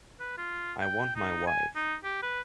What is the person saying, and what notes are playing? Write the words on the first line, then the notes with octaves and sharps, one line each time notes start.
I want my wife.
B4
F4
G5
D#4
G#5
D#4
G4
B4